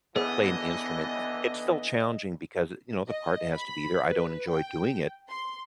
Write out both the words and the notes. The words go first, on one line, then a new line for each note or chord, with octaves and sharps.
p play an instrument, uh, it's still challenging because, you know, the part has to be there. I don't enjoy doing it.
D#2 D3 E3 B3 G#4 D#5
D#5
B5
B4
G5
C6